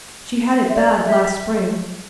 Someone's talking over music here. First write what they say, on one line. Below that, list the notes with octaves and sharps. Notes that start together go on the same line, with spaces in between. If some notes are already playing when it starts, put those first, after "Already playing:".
She had it bad last spring.
E5
D5
E5